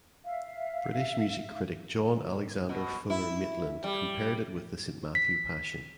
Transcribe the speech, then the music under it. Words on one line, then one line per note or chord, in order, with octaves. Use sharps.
British music critic John Alexander Fuller Maitland compared it with the "St Matthew Passion".
E5 F5
B2
E4
G3
B6